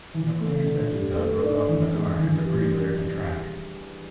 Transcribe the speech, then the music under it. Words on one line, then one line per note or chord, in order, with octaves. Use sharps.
His McLaren's engine tub broke off from the car and debris littered the track.
E3
A3
D3
G3
A3
D4
E3
G#3
E3
G3